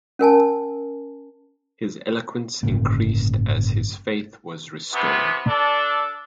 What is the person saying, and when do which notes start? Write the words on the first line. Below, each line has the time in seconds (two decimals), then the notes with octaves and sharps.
His eloquence increased as his faith was restored.
0.19 C#4 A#4 G#5 A5
2.63 G1 A2 C#3 A#3
4.92 C3 E3 B3
5.46 D4 A4